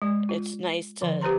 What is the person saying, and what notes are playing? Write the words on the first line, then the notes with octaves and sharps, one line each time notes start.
It's nice to
G#3 D5
F4
D3 D#3 F3
G4 B4 C5 A#5 C6